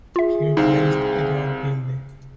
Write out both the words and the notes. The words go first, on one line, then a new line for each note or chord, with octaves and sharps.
He replaced Eduard Vilde.
F4 G#4 E5
C2 C4 D#4 F5